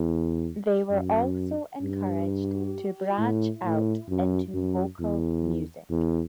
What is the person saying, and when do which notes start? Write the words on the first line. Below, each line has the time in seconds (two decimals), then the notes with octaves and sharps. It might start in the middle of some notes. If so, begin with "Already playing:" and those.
They were also encouraged to branch out into vocal music.
Already playing: E2
0.91 F#2
1.82 G2
3.18 A2
3.64 A2
4.09 F#2
4.54 F#2
5.00 E2
5.91 E2